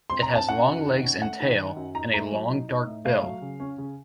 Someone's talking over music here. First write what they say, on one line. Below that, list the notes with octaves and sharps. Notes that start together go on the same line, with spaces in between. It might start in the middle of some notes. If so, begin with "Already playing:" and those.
It has long legs and tail, and a long dark bill.
C4 C6
A#5
C4
A5
C#4 F#5
F#2
D#3
C#4
A3 F#5
D#3
D#3
F#2
D#4 A#5
A3 A#5
F#3
D#4
D#4
A2
A3 F5
F#3
C#3
C#4
C#3